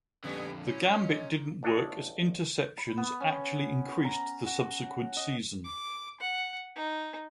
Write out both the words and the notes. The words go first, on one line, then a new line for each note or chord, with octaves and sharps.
The gambit didn't work as interceptions actually increased the subsequent season.
F2 D3 G3 B3 C#4
A#2 C#4 E4
D#5
A1 D4 A4 C#5 D#5
B5
B3
C#4
A#5
F#4
D#5
D6
F#5
D#4